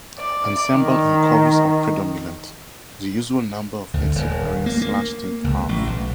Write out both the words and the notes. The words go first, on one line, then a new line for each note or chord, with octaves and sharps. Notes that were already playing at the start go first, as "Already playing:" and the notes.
Ensemble and chorus are predominant: the usual number of exit arias slashed in half.
D5
D#3
D2
D#1
A#3
A#3
C#2
A1
B1